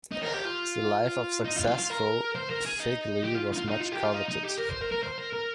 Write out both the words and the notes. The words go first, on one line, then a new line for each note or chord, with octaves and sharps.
The life of successful "figlie" was much coveted.
D#4
A#4
G4
F4
D#4
F4
F4
F4
A#4
C5
A#4
G#4
D#4
G4
F4
D#4
F4
D#4
F4
G4
F4
D#4
D#4
G4
A#4
C5
A#4
A#4
C5
A#4
A#4